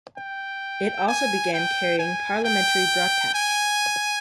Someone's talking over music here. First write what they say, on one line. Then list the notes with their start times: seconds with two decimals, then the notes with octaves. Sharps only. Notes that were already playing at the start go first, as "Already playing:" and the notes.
It also began carrying parliamentary broadcasts.
0.17 G5
1.08 G#5
1.54 G5
1.99 G#5
2.44 G5
3.35 G#5